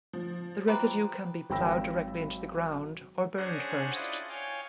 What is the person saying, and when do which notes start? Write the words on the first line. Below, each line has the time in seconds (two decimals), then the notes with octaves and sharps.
The residue can be ploughed directly into the ground, or burned first.
0.13 F3
0.67 A#3 C4 B4
1.50 G#1 F#3 G5 B5 E6 A#6
3.37 C#4 D4 F#4 G#4 C5 F#5
3.95 E4 F4 D5 D#5 F#5
4.29 C#5 F5 G5 G#5